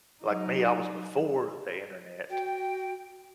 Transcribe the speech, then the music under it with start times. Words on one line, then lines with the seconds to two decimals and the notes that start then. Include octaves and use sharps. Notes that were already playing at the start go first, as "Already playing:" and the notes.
like me, I was before the internet,
0.23 F#3 D#4
2.29 F#4 G5